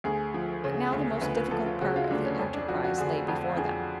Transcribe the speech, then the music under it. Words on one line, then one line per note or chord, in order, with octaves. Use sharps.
But now the most difficult part of the enterprise lay before them.
D2 G#4
F3
C#3
D2
D2 B4
B4
F3 A4
F4
C#3 F#4
F4
D2 D4
C#4
F2 C#4
D4
F3 F#4
F#4
D3 G#4
F2
F2 G#4